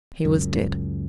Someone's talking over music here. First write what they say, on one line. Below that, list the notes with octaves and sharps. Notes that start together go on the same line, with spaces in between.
He was dead!
C#2 F#2